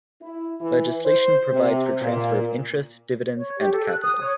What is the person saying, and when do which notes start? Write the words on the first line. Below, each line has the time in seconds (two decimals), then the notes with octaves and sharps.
Legislation provides for transfer of interest, dividends, and capital.
0.21 E4
0.61 E3
1.05 C5
1.52 C3
2.02 A#2
3.37 C#5
3.59 G4
3.72 A4
3.86 F#6
4.02 D#6
4.21 C#5